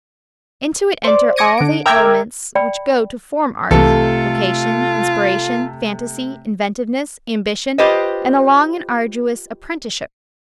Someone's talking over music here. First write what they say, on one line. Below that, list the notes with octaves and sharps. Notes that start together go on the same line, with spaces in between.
Into it enter all the elements which go to form art--vocation, inspiration, fantasy, inventiveness, ambition, and a long and arduous apprenticeship to the science.
C5 D5
D6 G#6 A#6 C#7 D#7
D3 D7
A#4 E5 G5 D6 F6 G#6
D5 G5 B5
C2 C3 E3 A3 F4 A4
F4 G4 B4 C5 D#5